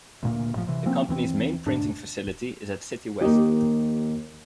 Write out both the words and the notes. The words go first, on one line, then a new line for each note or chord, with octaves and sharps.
The company's main printing facility is at Citywest.
D2 A#2 A#3
G1 A2 F3
C3 E3
F3 A#3 C4 C#4
D#2 E3 C4
E1 D2 G#2 D4
D#2 A#3 D#4 G4